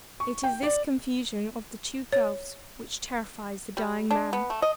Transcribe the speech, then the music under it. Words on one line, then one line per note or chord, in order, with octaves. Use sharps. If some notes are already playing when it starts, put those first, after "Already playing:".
It is this confusion of the two gulfs which terrifies the dying man.
C#6
G5
D5
C#5
G3
D4
B3
A3
D#5